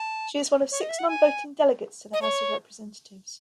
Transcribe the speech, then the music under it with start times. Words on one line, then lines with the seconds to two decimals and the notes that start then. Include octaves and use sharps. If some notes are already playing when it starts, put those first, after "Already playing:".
She is one of six non-voting delegates to the House of Representatives.
Already playing: A5
0.71 C#5
0.81 D#5
0.89 E5
0.99 F#5
1.08 G#5
2.13 D#5
2.22 C#5